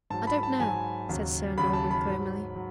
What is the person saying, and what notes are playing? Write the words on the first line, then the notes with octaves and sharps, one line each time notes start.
"I don't know," said Sir Norman, gloomily.
G#2 F#3 A5
B5
A5
G#2 F#3 G#5
D#2 C#3 F#3
D#2 C#3 F#3 B5
A5
B5
G#2 F#3
F#3